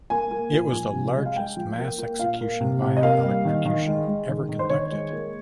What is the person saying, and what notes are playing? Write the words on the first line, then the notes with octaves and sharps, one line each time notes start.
It was the largest mass execution via electrocution ever conducted.
A#3 G#5
A#3
A#2
F3
C3
G#3
F5
G#3 G5
F3
A#3
A#3
A#2 F5
A#3
C3
C3
D#5
A#3 F5
G3
D#3
D#3
G#3
G#3
D#3
D#3
C5
D#3 C#5
G#3
A#3